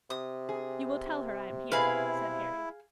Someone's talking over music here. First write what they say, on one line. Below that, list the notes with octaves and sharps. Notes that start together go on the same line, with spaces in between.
'You will tell her I am here?' said Harry.
C3 D#6
G#4
B2 E4 G#4 B4 F5